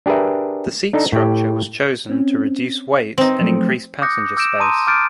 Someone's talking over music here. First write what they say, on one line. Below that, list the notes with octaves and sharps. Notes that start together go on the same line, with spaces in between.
The seat structure was chosen to reduce weight and increase passenger space.
D4 G4 G#4 A#4 B4 E5
D4 D#4 A4
A2 G4
C4 C#4
C4 D#4
F3 F#3 A3
D6 D#6 F#6 G6 A#6 C#7
D6 E6 G6 A#6 D7 E7
A5 A#5 C6 D#6 D#7
D6 F6 G6 A6 D7 D#7